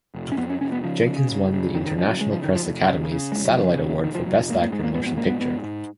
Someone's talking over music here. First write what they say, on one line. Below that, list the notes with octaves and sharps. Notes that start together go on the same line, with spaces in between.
Jenkins won the International Press Academy's Satellite Award for Best Actor - Motion Picture.
F1
C#4
F2 B3
C#4
F1 C#4
B3
C#3 F3
C#3
F#1
C#3
F#1 D#3
D#3
C#3 F3
F#3
C#3 G#3
F3
F#1 D#3
F3
F1
C#3
C#3
F1 G#3
F#3
C#3 F3
F1
F1 D#3
F3
F1 F#3
G#2 A#3
A#3
G#2 G#3
A#3
A#1 B3
B3
G#2 A#3
B3
G#2 B3
G#2